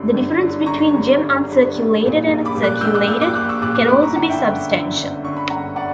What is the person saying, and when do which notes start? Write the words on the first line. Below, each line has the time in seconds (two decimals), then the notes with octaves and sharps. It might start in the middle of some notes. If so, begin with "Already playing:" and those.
The difference between Gem Uncirculated and Uncirculated can also be substantial.
Already playing: G1 F#2 D3 G3
0.14 G1
0.40 F#2 D3 G3
0.66 G1 A#5 C#6
0.93 F#2 D3 G3
1.21 G1
1.47 F#2 D3 G3
1.74 A#1
2.01 A#2 G3
2.28 A#1
2.45 B5 D6
2.55 A#2 G3
2.63 D6 F#6
2.77 F#6
2.81 A#1 E6 G6
2.94 D6 F#6
3.08 A#2 G3 E6 G6
3.21 D6 F#6
3.35 A#1 D6 F#6
3.49 C#6 E6
3.62 A#2 G3 D6 F#6
3.75 D6 F#6
3.88 G1 B5 D6
4.03 A#5 C#6
4.15 F#2 D3 F#5 A#5
4.29 E5 G5
4.43 G1
4.69 F#2 D3
4.96 G1
5.24 F#2 D3 C#6
5.37 B5
5.50 G1 F#5 A#5
5.76 D5 F#5